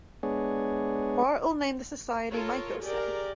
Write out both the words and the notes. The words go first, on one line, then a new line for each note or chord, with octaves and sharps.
Bartle named the society Micosay.
G#3 B3 D4 G#4 C#5
F4 A4 A#4 C#5
G4 G#4 A#4 D5